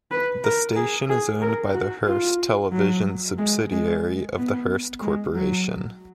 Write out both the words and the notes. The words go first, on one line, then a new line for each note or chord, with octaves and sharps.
The station is owned by the Hearst Television subsidiary of the Hearst Corporation.
B4
A#4
G#4
G#4
A#4
F#4
F4
F#3
G#3
G#3
B3
G#3
F#3